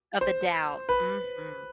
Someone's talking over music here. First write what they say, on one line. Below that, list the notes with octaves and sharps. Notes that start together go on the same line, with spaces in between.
Of the doubt. Mhm.
C5
B4